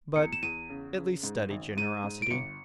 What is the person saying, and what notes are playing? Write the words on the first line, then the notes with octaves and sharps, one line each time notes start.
But, at least, study generosity.
E2 C#7
E7
E2 D#7
C#3
C#3
G#2
G#1
G#2 D#7
G#2
D7
G1 C#7